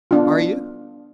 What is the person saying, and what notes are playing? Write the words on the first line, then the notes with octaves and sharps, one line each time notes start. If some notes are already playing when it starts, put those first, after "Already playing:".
"Are you?"
B3 D4 F4